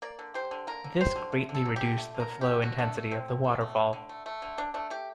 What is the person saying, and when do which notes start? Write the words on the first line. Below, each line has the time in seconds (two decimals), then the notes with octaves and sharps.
This greatly reduced the flow intensity of the waterfall.
0.02 A#3 D5
0.19 D3
0.34 G3 C5
0.51 D3
0.67 A#3 A#4
0.84 D3
1.01 G3 C5
1.16 D3
1.32 A3
1.49 D3
1.55 A4
1.65 F#3
1.76 D3 G4
1.98 A3
2.14 D3
2.20 A#4
2.30 F#3
2.41 D3 G4
2.62 D3 F#4
2.78 A3 D4
2.96 A3
3.11 D3 C4
3.28 D3
3.44 A3
3.61 A3
3.76 D3
3.93 D3
4.09 A3
4.26 A3
4.42 D3
4.58 D3 D4
4.74 A3 D4
4.90 A3 G4